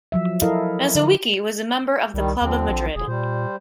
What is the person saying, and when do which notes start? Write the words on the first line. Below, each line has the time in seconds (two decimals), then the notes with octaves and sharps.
Mazowiecki was a member of the Club of Madrid.
0.12 F3 F#3 E5
0.42 E4 A4 A#4 D#5 F5
0.95 D3
2.14 C2 D#3 G3
2.41 D#2 D3 F3 C4
2.69 A#1
2.95 E1 D3 G#4
3.07 A#2 G3 C5